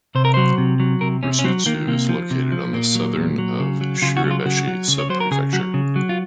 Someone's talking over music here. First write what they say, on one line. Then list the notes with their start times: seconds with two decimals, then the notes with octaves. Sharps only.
Rusutsu is located on the southern of Shiribeshi Subprefecture.
0.15 C3 C5
0.25 A#4
0.34 F#3 C5
0.58 C3
0.80 F#3
1.01 C3 A#4
1.23 C3 C#4
1.39 C#4
1.44 F#3 C4
1.66 D#3 A#3
1.87 C3 A#3
2.09 F3
2.31 C3
2.52 F3
2.73 A#2 A#3
2.95 F#3
3.17 A#2
3.38 F#3
3.60 C#3
3.81 F#3
4.02 C#3 F4
4.17 F#4
4.24 F#3
4.31 F4
4.45 C#3 F#4
4.67 F#3
4.88 C#3
4.99 C#5
5.10 F#3 C5
5.20 A#4
5.31 C#3 G#4
5.53 F#3 F#4
5.74 C#3
5.96 F#3
6.09 F4